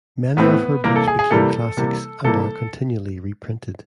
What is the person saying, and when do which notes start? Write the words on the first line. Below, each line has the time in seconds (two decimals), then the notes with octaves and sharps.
Many of her books became classics and are continually reprinted.
0.37 A2 E3 A3 B3 C4 B4
0.84 C3 E3 G3 A#3 A#4
0.96 A4
1.07 G#4
1.19 G#4
1.31 C3 E3 G3 A#3 A4
1.77 C3 E3 G3 A#3
2.24 C3 E3 G3 A#3 A4